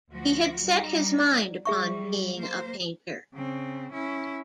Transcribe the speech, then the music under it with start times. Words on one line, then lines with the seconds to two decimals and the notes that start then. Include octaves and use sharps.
He had set his mind upon being a painter.
0.11 D2 F3 F#4
0.63 G3 D#4
1.19 D5
1.65 F#3 G3 G#4 E5 C#6
2.37 A#3 C5
3.34 C#3 C4
3.93 C#4 E4